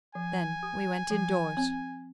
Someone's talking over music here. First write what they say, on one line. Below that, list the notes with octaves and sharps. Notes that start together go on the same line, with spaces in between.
Then we went indoors.
F3 G#5
G4
F3
C4